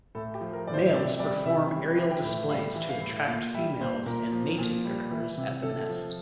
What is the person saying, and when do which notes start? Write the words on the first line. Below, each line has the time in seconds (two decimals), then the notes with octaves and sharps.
Males perform aerial displays to attract females and mating occurs at the nest.
0.15 A2 A4
0.34 G4
0.41 F3
0.53 A#4
0.67 A2 D5
0.73 C5
0.93 C3 D5
1.19 G3 D5
1.46 C3 E5
1.72 G3
1.98 E3
2.11 G5
2.23 A2
2.49 G3 F5
2.75 E3
2.89 F5
3.01 A2
3.27 A#2 F5
3.54 G3 E5
3.80 A#2 C5
4.06 A#2 A#4
4.32 F3
4.58 A#2
4.84 G3
5.11 E3
5.37 C3
5.63 C3 A4
5.89 F3